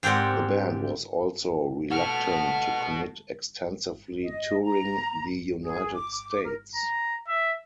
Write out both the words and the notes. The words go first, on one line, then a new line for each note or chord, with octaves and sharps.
The band was also reluctant to commit extensively touring the United States.
G#2 C4 G4 A#4 D5 F#5
A3 B3 F#4 F6
D#5
A#5
G#4
D6
A#4
A#5
E5